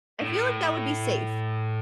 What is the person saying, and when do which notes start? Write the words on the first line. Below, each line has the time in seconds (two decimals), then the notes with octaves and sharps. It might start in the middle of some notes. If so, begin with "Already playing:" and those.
I feel like that would be safe.
0.21 A2